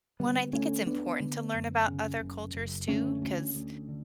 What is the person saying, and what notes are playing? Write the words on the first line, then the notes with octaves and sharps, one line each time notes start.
When I think it's important to learn about other cultures too, 'cause,
D3 G3 B3
D2 A3 C#4
D2 B3 D4
D3
F#2
C#3
F#1
F#1
D3 A3 C#4
D2
D2
D3